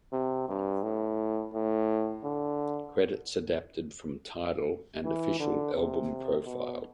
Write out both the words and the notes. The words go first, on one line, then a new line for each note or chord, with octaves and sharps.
Credits adapted from Tidal and official album profile.
C3
G2
A2
A2
D3
E3
D3
C3
B2